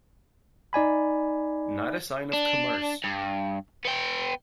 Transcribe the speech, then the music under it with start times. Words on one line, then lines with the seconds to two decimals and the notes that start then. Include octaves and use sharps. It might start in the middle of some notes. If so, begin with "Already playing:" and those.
Not a sign of commerce!
0.73 D#4 D5 G#5 B5
2.34 D4
3.04 G2
3.85 B3 G5